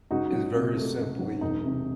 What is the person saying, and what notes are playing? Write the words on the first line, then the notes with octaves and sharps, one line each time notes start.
is very simply,
C#2 D#4 F#4
F#3
C3
A3
C#2
F#3
E1 D#4
C3